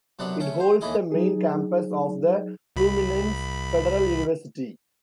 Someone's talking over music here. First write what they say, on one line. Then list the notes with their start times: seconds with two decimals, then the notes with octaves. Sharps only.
It holds the main campus of the Fluminense Federal University.
0.19 F#2 C3 B3 D4 B4 F#5
0.40 A3 C#4 C#5 E5
0.60 C5
0.81 D#2 E3 A3 E4 D#5 G#5
1.12 F#3 D#4 G#4
2.76 C2 B5